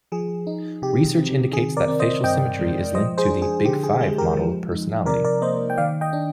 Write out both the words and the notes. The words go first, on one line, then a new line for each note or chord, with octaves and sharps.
Research indicates that facial symmetry is linked to the 'big-five' model of personality.
F3 G#4
D#4
C3 G4
C4
D#3 G#4
A#4 D5
C4
C5 D#5
G2 D#5 G5
G#3
F3 C5 D#5
G#4 C5
D4
G#4
D3 G4
G#4
G#3 G#4
G4 A#4
F3
D#4
C3 A#4 D5
A#4 D5
A#3 C5 D#5
G5
D#3 D5 F5
D#5 G5
D4